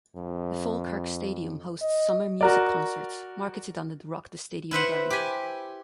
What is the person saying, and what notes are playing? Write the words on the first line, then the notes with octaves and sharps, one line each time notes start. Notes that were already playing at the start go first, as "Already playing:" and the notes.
The Falkirk Stadium hosts summer music concerts, marketed under the "Rock The Stadium" brand.
F2
D#5
F#4 A#4 D5
E4 B4 C5 F#5
G4 G#5